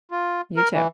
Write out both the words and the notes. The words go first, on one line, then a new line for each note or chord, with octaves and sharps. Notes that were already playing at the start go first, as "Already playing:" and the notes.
You too.
F4
A#4
E3